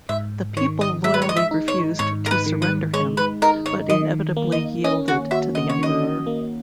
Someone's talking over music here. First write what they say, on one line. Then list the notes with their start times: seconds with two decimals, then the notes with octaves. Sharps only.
The people loyally refused to surrender him, but inevitably yielded to the emperor.
0.09 G#2 E5
0.57 D#3 C#5
0.81 D#5
1.04 G#3 E5
1.14 B4
1.22 C#5
1.29 D#5
1.37 E5
1.51 D#4
1.68 C#5
1.99 G#2 C#5
2.26 A#4
2.31 B4
2.46 D#3
2.62 B4
2.94 G#3 C#5
3.17 B4
3.42 D#4 A#4
3.66 C#5
3.89 D#3 D#5
4.36 A#3
4.52 D#5
4.84 C#4 D#5
5.08 F#4
5.31 F#4 E5
5.55 D#5
5.69 C#5
5.79 D#3 D#5
6.27 A#3